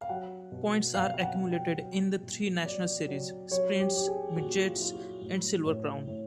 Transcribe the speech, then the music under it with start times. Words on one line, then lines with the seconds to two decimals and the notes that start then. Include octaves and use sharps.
Points are accumulated in the three national series: sprints, midgets, and silver crown.
0.01 F5
0.09 F#3 F#5
0.52 B2
0.94 B2 F5
1.14 F5
1.23 F#5
1.38 F#3
1.51 G5
1.80 F#3
2.22 A#2
2.65 F#3 D5
3.08 F#3
3.51 F#3 C#5
3.80 G4
3.94 F#3 G4
4.08 G#4
4.36 A#2 F#4
4.65 F4
4.73 E4
4.79 F#3 F4
4.94 F#4
5.21 A2
5.65 A2
6.07 A2